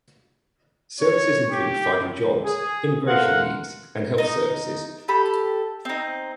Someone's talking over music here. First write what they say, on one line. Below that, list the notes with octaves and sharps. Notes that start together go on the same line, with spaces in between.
Services include finding jobs, immigration needs, and health services.
C#5
G4
G#4
A3 A#4 C5 F5 F#5
D#4 D#5
G4 A4 B5
C4 D#4